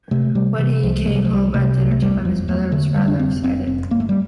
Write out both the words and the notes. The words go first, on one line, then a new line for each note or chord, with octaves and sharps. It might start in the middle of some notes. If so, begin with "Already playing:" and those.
When he came home at dinner-time his mother was rather excited.
C3 A3
C3 G3
C3 E3
C2 F3
C3 A3
G3
F3
C2 G3
C3 A3
C2
A3
E2 G3
F1 F3
E2 A3
D3 A3
F1 G3
D4
F1 C4
F1 C4
F1 C4
G1 A#3
A3
G3